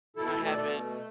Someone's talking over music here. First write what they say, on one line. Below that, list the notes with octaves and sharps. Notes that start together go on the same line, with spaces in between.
I haven't.
B2 E4 A4
A3
A4 D5
B2
A3